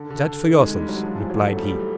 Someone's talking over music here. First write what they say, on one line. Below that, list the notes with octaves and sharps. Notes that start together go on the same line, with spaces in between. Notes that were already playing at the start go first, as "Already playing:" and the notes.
"Judge for yourself," replied he.
Already playing: D3
D3
D#3
G#3
G3
F#3
F3
E3
F#3
A3
G3